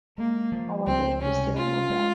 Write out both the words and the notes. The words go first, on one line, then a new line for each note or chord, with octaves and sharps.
However, this didn't work out.
G#3 A#3
F3
C#2 C4
C3 C#4
C#4 F4
G#3